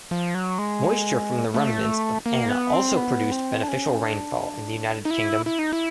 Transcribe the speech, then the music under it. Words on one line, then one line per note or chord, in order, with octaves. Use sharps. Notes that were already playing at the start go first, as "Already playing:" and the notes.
Moisture from the remnants of Ana also produced beneficial rainfall in the United Kingdom.
F3
F#3
G#3
A3
A#3
B3
C4
B3
C4
D4
C#4
D4
D#4
E4
E4
D#4
E4